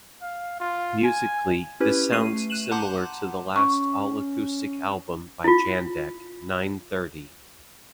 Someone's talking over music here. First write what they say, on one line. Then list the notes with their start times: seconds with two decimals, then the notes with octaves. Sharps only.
Musically, this sounds similar to the last all-acoustic album by Jandek, "Nine-Thirty".
0.22 F5
0.60 F4
1.04 G#5
1.80 C#4 E4 G4 B4
2.12 A3 C7 D#7
2.50 F#6 D#7 E7 F#7
2.71 F#5 A5 A#5 C6 D6 G6
3.56 C#4 C#6
5.44 E4 F4